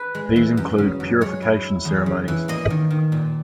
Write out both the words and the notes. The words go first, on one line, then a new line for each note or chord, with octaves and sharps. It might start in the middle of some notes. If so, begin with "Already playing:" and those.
These include purification ceremonies.
Already playing: B4
G#3
E3
F#2
C#3
F#2
G#3 C#5
E4
E4
E2
C#3
E3
A#3 D#5
D#3
D#3
A#2